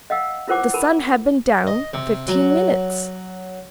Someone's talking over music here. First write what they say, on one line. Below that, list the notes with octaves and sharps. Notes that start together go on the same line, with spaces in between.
The sun had been down fifteen minutes!
D#5 F5 F#5 E6
E4 F4 A#4 C5 F#5 D6
A#4 A5 B5
D#5
C3
F#3